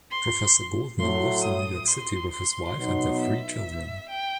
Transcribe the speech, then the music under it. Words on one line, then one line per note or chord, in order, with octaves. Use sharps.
Professor Goldman lives in New York City with his wife and their three children.
C6
A2 F#3 A3 C6
D#6
C6
C6
B2 F#3 B3 D#4
E5
G5